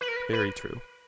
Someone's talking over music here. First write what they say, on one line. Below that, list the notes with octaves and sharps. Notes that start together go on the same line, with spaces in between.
Very true.
B4
A#4
B4
B4